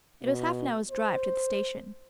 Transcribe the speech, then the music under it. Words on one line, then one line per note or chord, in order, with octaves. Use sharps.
It was half-an-hour's drive to the station.
B2
C5